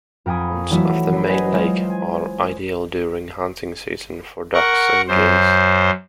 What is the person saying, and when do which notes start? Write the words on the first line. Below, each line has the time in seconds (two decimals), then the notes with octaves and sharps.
Ponds off the main lake are ideal during hunting season for ducks and geese.
0.26 F2 A#4 G5 G#5 B5 D#6
0.70 E3 F#3 G3 A3 E4 F#4
1.12 F#3 B5
1.28 B4 C5 D#5 G#5
1.52 G#3 F4 C5
1.90 G#5
4.54 A#4 F#5 C#6
5.08 F#2 C5